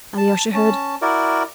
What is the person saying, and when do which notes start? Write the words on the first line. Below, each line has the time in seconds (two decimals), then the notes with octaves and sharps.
Alyosha heard.
0.17 A5
0.54 C#4 A5
1.02 E4 F#4 A#4 D5